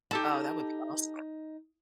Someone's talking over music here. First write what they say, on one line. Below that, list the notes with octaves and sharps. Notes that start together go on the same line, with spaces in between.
oh, that would be awesome.
D#4 G4 A4 A5